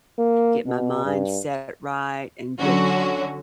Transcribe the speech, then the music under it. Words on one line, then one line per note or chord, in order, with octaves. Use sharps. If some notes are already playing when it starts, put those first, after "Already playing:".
get my mind set right and get,
A#3
B2
G2
D3 F#3 C#4 F#4